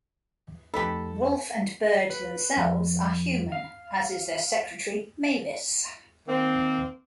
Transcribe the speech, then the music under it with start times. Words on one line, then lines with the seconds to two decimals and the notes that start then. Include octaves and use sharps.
Wolff and Byrd themselves are human, as is their secretary Mavis.
0.74 F2 A3 D#4 G4 A4 B4 B5
2.10 B4
2.57 F2
3.52 F5
6.28 D#3 A#3 C4